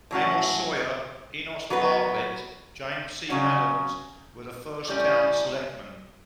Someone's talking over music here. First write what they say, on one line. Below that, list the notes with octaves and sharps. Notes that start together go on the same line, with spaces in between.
Amos Sawyer, Enos Bartlett, James C. Adams were the first town selectman.
A2 F#3 C#4 F#4
F#3 B3 F#4 B4
C#3 F#3 C#4 F#4
A2 G3 C#4